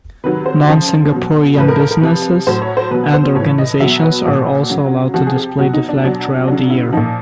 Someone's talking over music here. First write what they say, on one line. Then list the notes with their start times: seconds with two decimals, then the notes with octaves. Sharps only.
Non-Singaporean businesses and organisations are also allowed to display the flag throughout the year.
0.24 C3 D#3 F#3 B4
0.46 C5
0.68 C#3 F3
1.12 B2 F#3
1.57 A2 F3 B4
1.68 A#4
1.80 A#4
1.91 A#4
2.02 C3 F3 B4
2.47 A2 F#3 C5
2.62 C#5
2.77 C5
2.91 B2 F#3 B4
3.14 C5
3.35 A2 E3 C#5
3.58 D#5
3.80 B2 F#3 E5
4.02 B4
4.25 A#2 F3 F#4
4.70 C#3 F#3
5.14 C3 F3 F#4
5.27 G#4
5.37 G4
5.59 B2 F#3 F#4
5.73 D#4
5.89 D4
6.04 B2 F#3
6.47 C#3 F#3 D4
6.70 E4
6.92 A#2 F3 D#4